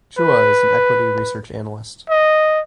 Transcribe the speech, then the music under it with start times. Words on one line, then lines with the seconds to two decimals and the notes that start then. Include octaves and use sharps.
Chua is an equity research analyst.
0.18 B4
2.10 D#5